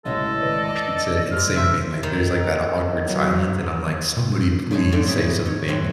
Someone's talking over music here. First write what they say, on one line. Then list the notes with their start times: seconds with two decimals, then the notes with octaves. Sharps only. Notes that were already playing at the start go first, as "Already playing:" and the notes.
repeats it and same thing. Like, there's, like, that awkward silence, and I'm like, "Somebody please say something."
0.05 A1 A2 C#3 G#3 A4 D#5
0.41 G#1 B4 D5
0.65 D6 E6
1.31 G#3 C4 G4 E6 F6
1.56 C3 E5 C6 G6
2.03 D#3
3.03 F#3
4.71 C#3 G3 G#3 G#4 A5
4.92 G#2 A3 C#4 F#4 D5
5.06 C4 E4 G#4 B5
5.46 D#4 C#5
5.68 E2 G#2 F#3 C4